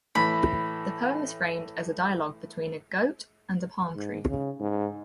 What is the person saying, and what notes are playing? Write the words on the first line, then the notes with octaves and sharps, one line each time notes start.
The poem is framed as a dialogue between a goat and a palm tree.
A2 E3 B5
G#2
C#3
G#2